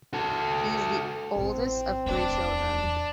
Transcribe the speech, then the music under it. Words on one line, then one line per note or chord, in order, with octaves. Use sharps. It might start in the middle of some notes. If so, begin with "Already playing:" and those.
He is the oldest of three children.
F#4 A4
A1 C4
D1 E2 D4